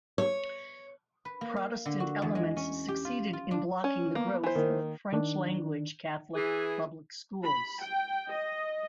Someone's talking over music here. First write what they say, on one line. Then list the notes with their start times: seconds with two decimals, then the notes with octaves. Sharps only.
Protestant elements succeeded in blocking the growth of French-language Catholic public schools.
0.18 C#5
1.25 B4
1.41 A#3
1.56 F5
1.86 D3
2.00 F#4
2.22 E2
2.35 G#3
2.57 C#4
2.88 G4
3.05 F4
3.33 F4
3.51 D4
3.84 C#4
4.15 A#3 B3
4.43 E3 C5
4.55 D#3 A#3
5.13 D#3 D4
6.35 E3 G#4
7.43 B5
7.82 G5
8.29 D#5